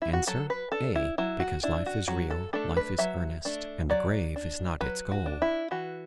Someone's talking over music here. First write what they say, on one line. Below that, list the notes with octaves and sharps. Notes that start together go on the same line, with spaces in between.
Answer: A, because life is real, life is earnest, and the grave is not its goal.
E4
F#4
F#3 A4
B4
D4 A4
E4
F#3 E4
F#4
D4 E4
F#4
F#3 F#4
A4
A3 D4 A4
B4
F#3 E5
A3 D4
F#3 D5
D4
F#3 B4
F#4
D4
E4
E3 F#4